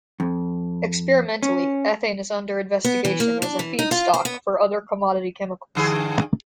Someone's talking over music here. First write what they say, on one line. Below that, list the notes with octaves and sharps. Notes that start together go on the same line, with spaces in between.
Experimentally, ethane is under investigation as a feedstock for other commodity chemicals.
F2
C#4
B3
E3
A#3
D4
E3
D#4
F4
C5
B3
G2 D3 G#4